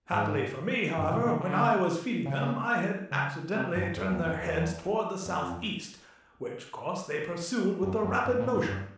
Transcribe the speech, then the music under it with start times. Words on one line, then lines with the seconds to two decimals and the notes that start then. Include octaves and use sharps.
Happily for me, however, when I was feeding them I had accidentally turned their heads towards the south-east, which course they pursued with a rapid motion.
0.12 G#2
0.98 G2
1.12 B2
1.26 D#3
1.40 D3
2.26 C#3
3.11 C#3
3.54 C3
3.75 G2
3.97 F2
4.12 E2
4.26 F2
4.40 E2
5.26 F2
7.83 F#2
8.04 F#2
8.25 G2
8.40 A#2
8.54 G#2
8.68 G2